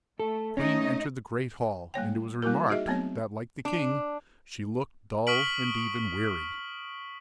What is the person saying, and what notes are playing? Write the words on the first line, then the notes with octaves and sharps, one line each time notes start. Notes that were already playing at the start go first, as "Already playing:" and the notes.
The queen entered the great hall; and it was remarked that, like the king, she looked dull and even weary.
A3 A4
A3 C#4 D#4 D#5
G3 A#3 C#5 G5
G3 A#3 E4 F#4 A#4
D#4 F#4 G#4 D#5 E5
F#3 A3 B3 C4 C#5
D4
C#6 D#6 F6 B6 D7 F#7